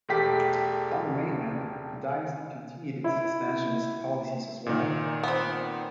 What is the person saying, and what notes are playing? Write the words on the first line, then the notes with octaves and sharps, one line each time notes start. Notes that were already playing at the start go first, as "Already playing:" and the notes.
On the mainland, the dynasty continued its expansionist policies as well.
E1 A3 G4 B6
E4
A#2 D#3
B3 C4